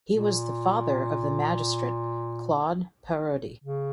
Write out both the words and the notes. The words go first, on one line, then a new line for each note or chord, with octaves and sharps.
He was the father of the magistrate Claude Parodi.
A#2
C#3